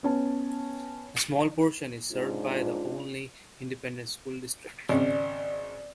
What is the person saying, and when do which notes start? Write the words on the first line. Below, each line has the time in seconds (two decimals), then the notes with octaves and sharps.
A small portion is served by the Olney Independent School District.
0.03 B3 C#4 A5
2.11 G#2 C#4 D4 F4
4.89 G#1 C#3 D5